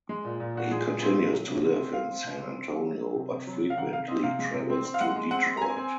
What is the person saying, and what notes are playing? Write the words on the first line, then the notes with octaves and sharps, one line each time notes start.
He continues to live in San Antonio, but frequently travels to Detroit.
G#3
A#2
A#2
A#2 F#4
G#3 G#4
A#2
C4
A#2
F#3
C3
C4
C4
C4 F5
C4
C3
C4
C4
F#3
F#3
F#3
C3
C3
F#3
C3
F5
D#3 F#5
C3 F5
C4 D#5
C3 F5
G#3
C3
C4
C4
F5
G#3 F#5
G#3
C4 F#5
G#3
A#5
C4 G#5
C4